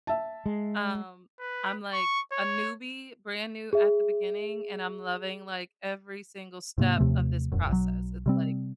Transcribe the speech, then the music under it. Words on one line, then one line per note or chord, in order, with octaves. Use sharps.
Um, I'm, like, a newbie, brand new at the beginning, and I'm loving, like, every single step of this process. It's like
E5 A5
G#3
B4
C#6
C#5
G#4 E5
G#2 C3 A#3
D#2 C3 F3 A3
E1 F#2
B1 F#3
C3 G3 C4